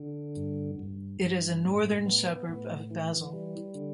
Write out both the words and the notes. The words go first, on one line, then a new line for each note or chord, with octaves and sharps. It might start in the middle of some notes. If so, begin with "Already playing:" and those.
It is a northern suburb of Basel.
Already playing: D3
G2
G2
G2
A2
B3
A2
E3
G3
D3